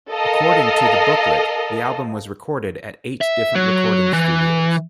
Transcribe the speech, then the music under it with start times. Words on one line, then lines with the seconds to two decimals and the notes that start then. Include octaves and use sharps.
According to the booklet, the album was recorded at eight different recording studios.
0.11 A4 A#4 D#5 F5
3.21 E5
3.55 F#3
4.13 E3